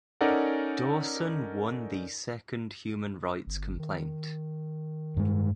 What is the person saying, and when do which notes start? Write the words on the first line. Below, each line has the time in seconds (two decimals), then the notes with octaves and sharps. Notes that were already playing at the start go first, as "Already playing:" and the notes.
Dawson won the second human rights complaint.
0.21 C#4 D#4 A4 A#4 D5 F#5
3.47 G1
3.79 D#3
5.17 G2 G#3